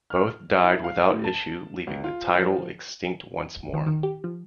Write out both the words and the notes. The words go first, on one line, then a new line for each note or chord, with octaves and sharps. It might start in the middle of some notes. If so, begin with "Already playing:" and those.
Both died without issue, leaving the title extinct once more.
F6
E4
F5
A2
A5
C#2
F4
F3
D#3
D#3
G4
F3